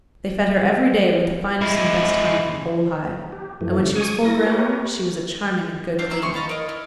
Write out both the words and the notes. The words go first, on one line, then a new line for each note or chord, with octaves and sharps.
They fed her every day with the finest and best honey in the whole hive; and when she was full-grown, she was a charming and good Queen.
G#3 E4
G4
F#2 E3 F3 A3
C#3
G#5 C#6 D#6
E4 A#4 A#6
G4 A#4 B4 C#5
D4 C5 E5 F5
B4 E5 F5 A#5
G#4 G5 C6 C#6
D#5 F5 A5 B5
A#4 C#5 D#5 F5
E4